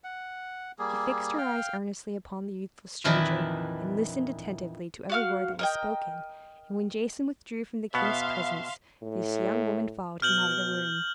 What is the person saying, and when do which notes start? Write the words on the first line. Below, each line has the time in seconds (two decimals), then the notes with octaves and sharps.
She fixed her eyes earnestly upon the youthful stranger, and listened attentively to every word that was spoken; and when Jason withdrew from the king's presence, this young woman followed him out of the room.
0.04 F#5
0.79 G3 A#3 G#4
1.38 F5 G5
3.04 F2 A#2 D#3 E3 D4 E4
5.10 F#4 F5 F6
5.59 A#4 D#5 G5
7.94 B2 B3 E5 F5 C6
9.02 A2
10.22 B2 F6 G6 F#7